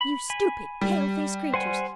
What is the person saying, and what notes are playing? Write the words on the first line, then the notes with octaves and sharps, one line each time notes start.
You stupid, pale-faced creatures!
B5
G#5 B5
G3
C5 F#5 G#5